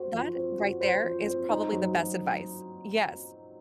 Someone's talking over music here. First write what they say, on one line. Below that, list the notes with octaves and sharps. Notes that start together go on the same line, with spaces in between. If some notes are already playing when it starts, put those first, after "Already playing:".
That right there, is probably the best advice. Yes.
Already playing: F#4 C5
F3
C4
F#4
C5
F3
C4
D#4
F#3
F#3